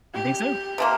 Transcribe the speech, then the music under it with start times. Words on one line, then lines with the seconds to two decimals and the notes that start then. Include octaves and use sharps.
You think so?
0.14 G4
0.78 C3 F3 A#3